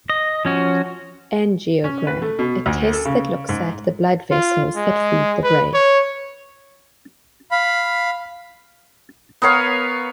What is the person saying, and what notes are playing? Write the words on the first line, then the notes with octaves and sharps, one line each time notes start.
Angiogram: a test that looks at the blood vessels that feed the brain.
D#5
F3 C#4 F#4
C#4
B4
A3
B2
D2
A4
C#3
G#2
F4
G#3
B4
C#5
F5 B5
B3 A#4 C#5 F5